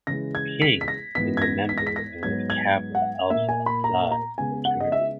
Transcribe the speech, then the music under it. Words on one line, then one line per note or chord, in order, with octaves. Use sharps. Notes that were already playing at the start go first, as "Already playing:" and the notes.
King is a member of Kappa Alpha Psi fraternity.
C#3 E3 G#3 A#6
G#6
B6
B6
A#6
G#2 E3 B3 B6
G#6
A#6
B6
A#6
B6
A#6
G#2 F#3 B3 G#6
G#6
F#5
A#2 A#3 E5
G#5
B5
A#5
A#5
C#3 G#3 B3 G#5
F#5
D#5
E5